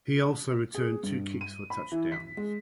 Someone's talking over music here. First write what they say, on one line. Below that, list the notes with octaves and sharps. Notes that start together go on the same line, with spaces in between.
He also returned two kicks for touchdowns.
G#4
G2
D#7
B5
E3
B6
G#3